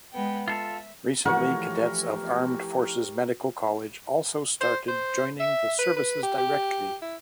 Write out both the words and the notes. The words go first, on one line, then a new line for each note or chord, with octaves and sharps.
Recently cadets of Armed Forces Medical College also started joining the services directly.
G#3 B3 G5
F4 A4 E5
E3 F3 A3 F#4 G4 A#4 C#5
C5
C5
E5
B4
B4
G4
G4
E4